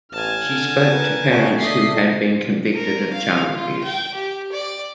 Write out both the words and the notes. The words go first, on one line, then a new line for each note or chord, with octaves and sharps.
She spoke to parents who had been convicted of child abuse.
A1 G#5 A5 F6
D3
A#4 B4
G1 C#5
A3 D5 D#5 B6 C7
A#4
F5
F4
G5
G4
D5